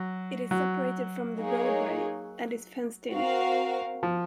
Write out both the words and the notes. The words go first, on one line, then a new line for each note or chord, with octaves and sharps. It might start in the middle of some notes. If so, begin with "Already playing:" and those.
It is separated from the roadway and is fenced in.
Already playing: F#3
F#3
A#3 D#4 G#4 C#5
C4 F#4 A#4 F5
F3